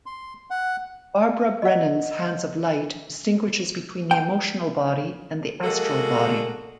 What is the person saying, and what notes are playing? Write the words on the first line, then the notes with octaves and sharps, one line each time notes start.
Barbara Brennan's "Hands of Light" distinguishes between the emotional body and the astral body.
C6
F#5
D#5 F#5
G5
G#3 A#3 F#4 A4